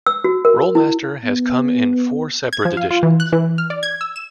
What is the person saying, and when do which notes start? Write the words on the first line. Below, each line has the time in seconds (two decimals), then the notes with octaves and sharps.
Rolemaster has come in four separate editions.
0.06 E6
0.24 F#4
0.45 A#4
0.75 E4
1.25 B3
2.53 G#6
2.65 F3
2.77 F5
2.91 F4
3.03 E3
3.20 F#6
3.33 E3
3.58 F6
3.70 D5
3.83 G#6
4.01 E6
4.16 E7